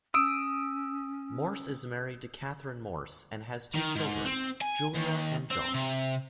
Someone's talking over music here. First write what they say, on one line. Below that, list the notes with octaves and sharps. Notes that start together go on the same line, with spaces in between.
Morse is married to Kathryn Morse and has two children, Julia and John.
C#4 D#6 E6 D7
D#3
G#2
C4
G#5
D#2
C4
C3